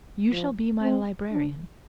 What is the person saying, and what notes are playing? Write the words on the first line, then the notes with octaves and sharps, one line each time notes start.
You shall be my librarian.
F3
C4
D4